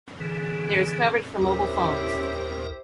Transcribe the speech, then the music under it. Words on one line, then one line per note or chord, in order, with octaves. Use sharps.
There is coverage for mobile phones.
D3 E3 G#4
D#2 C#4 E4 G4 A#4 C5